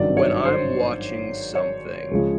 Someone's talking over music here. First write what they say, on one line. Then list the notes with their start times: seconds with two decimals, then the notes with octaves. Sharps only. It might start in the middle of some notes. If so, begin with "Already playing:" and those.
when I'm watching something,
Already playing: G#1 G2 D#3 F#3 D5
0.17 C#5
0.45 C5
1.55 C#5
2.11 C#2 C#3 F3 G#3